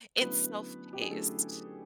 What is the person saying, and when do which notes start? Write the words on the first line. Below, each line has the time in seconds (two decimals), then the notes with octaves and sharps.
It's self-paced.
0.21 D3 F#3 A3 B3 C#4 E4 B4
0.93 G4
1.01 G#4
1.10 D3 F#3 A3 C#4 E4 A4